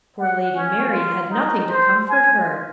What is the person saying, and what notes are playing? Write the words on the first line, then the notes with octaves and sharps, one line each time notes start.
Poor Lady Mary had nothing to comfort her.
F#5
C#4
F4
D#4
C5
G#5
F4